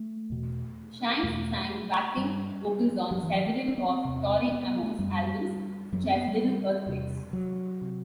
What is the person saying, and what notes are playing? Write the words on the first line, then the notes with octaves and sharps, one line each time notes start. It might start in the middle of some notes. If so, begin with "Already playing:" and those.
Shanks sang backing vocals on several of Tori Amos' albums, such as "Little Earthquakes".
Already playing: A3
E2 B2
E2 B2 A3
G2 G3
G2 F#3
E3
F#3
A3
C4
B3
C4
E2 C3
B3
B3
A3
F#2 G3
F#2 F#3
C4
B3
G3
E2 C3
F#3
C3